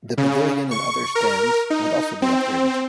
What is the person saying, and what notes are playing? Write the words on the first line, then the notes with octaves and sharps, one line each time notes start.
The pavilion and other stands would also be upgraded.
C#3
C#6
A#4
D#4
C4